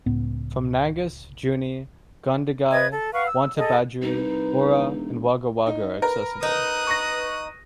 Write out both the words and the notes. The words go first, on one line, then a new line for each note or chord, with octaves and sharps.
From Nangus, Junee, Gundagai, Wantabadgery, Oura and Wagga Wagga are accessible.
C#2 A2 B3
B4 D#5 G#6
A4
B4 F5 F#5 C#6
E6
G#4 A4 D#5
C2 D#4 B4
E1
D#4
A#4 B4
D#4 D#6 F#6
C#6 A#6